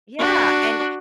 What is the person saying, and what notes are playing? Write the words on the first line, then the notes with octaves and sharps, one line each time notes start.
Yeah, and
D4 F#4